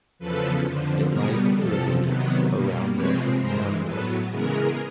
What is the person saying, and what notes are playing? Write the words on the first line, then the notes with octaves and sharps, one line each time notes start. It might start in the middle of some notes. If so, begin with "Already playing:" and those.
It lies on the River Mease, around north of Tamworth.
E2 C#3 F3 A4 B4
F2 D3 F3
B2 G3 B3 G#4 A#4
E2 C3 F3 A4
C3 D#3 F#3 B3
B2 G3 A#3
C3 F3 G#3 C4 B4 C#5
G2 E3 G#3 A#4 C5
A2 F#3 B3 A4 B4
C#3 E3 G#3 B3 G#4 A#4